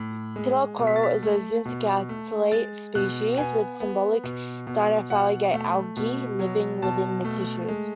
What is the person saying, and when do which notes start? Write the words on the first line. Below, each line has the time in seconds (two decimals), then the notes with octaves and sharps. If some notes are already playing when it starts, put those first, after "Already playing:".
Pillar coral is a zooxanthellate species, with symbiotic dinoflagellate algae living within the tissues.
Already playing: A2
0.36 G#3
0.79 B2
0.87 B6
0.96 A6
1.03 B6
1.23 A3
1.65 B2
2.09 A3
2.52 G#3 A6
2.95 B2 F#6
3.37 B3 G#5
3.80 B3
4.24 B2
4.67 B2
5.10 B2 F#5
5.54 A3
5.97 B2
6.39 F#3
6.82 B2 A5
7.25 A3
7.68 G#3